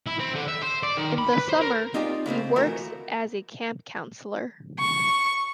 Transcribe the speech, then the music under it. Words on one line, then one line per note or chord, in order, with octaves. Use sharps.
In the summer, he works as a camp counselor.
E4
C4
D3
E5
C5
D5
D#3
B5
B4
C5
A#4
C4 D#4 F4 G4 D5 G#5
C#3 G#3 A3 C4
D2 E3 F3 A3 F#4 A#4
C#6